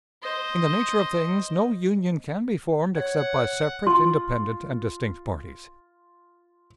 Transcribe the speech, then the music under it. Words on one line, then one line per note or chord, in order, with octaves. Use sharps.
In the nature of things, no union can be formed except by separate, independent, and distinct parties.
C5 D#5
C#5 F#5 G#6
F4 C6